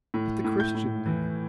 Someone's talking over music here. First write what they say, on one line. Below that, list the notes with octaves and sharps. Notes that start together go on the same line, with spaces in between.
"But the Christian name?"
A2
A2
G6
A2
E3